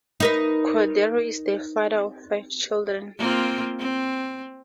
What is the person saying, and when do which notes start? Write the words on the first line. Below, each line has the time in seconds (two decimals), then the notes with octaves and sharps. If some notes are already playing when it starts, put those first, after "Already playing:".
Cordero is the father of five children.
0.20 D#4 A#4 B4
3.19 A#3 C4 F4
3.79 C4